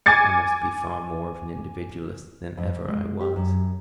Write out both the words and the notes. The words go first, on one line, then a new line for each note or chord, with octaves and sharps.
I must be far more of an individualist than ever I was.
G#5 D6 G#6 A6 C#7
F2
G#3
G4
F#2